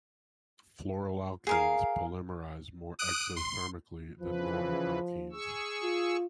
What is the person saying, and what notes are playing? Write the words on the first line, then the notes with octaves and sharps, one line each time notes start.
Fluoroalkenes polymerize more exothermically than normal alkenes.
G#4 A#4 F5
D#6 F#6 D7
C6
C#3 E3 F3 B4
G#4 C#6 E6
F4